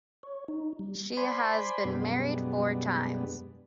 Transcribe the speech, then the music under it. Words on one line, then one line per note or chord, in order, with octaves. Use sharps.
She has been married four times.
C#5
D#4
G3
C5 D5 G#5 B5 C6
F#2 B2 G3 G#3 B3 D4